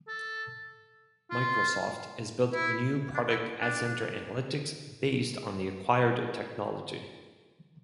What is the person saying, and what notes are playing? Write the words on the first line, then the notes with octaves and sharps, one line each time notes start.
Microsoft has built new product AdCenter Analytics based on the acquired technology.
A4
F4
E4
D4
E4
D4